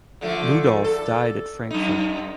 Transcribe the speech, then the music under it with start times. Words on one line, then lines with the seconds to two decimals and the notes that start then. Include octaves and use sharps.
Ludolf died at Frankfurt.
0.21 D3 F3 A3
0.84 A4
1.71 F#2 D#4